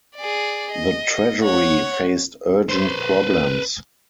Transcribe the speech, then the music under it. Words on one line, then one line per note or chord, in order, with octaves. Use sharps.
The Treasury faced urgent problems.
G#4 D5
D#5
C#5 F#5
B4 C5